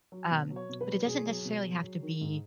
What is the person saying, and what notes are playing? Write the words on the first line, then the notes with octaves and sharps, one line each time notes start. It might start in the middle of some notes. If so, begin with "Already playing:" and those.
um, but, it doesn't necessarily have to be,
F#3
B2
F#3
C#5
B2
B4
F#3
B2 G#4
F#3
B2
F#3
F#3
D#3
G#2